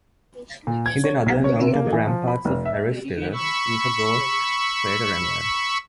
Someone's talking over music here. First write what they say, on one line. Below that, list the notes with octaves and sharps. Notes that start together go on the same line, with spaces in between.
In the northern outer ramparts of Aristillus is a ghost crater remnant.
A#2
G#6
C#5
B1
C#5
C3
A#3
E3
F3
B5
F1
E5
B5 C#6 E6